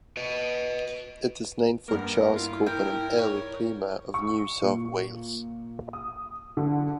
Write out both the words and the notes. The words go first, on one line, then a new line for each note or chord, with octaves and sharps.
It is named for Charles Cowper, an early Premier of New South Wales.
B4 D#5
G2 A#3 B3 A#4
E4 F4
A#4 G5
C#5
C#6
A#2
D#6
D3